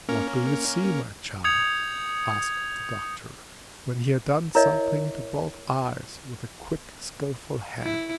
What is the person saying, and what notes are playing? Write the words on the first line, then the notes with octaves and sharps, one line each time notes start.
'What do you see, my child?' asked the doctor, when he had done something to both eyes with a quick, skilful hand.
A#3 C#4 A#4
D#6 G6 G#6 C#7 F7
E4 A#4 C#5 D#5 E5
E4